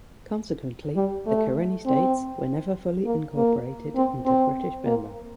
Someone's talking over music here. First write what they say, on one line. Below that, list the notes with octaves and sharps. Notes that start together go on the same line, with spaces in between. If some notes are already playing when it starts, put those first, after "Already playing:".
Consequently, the Karenni States were never fully incorporated into British Burma.
G3
A3
C4
A#3
A#3
C4
C4
A#3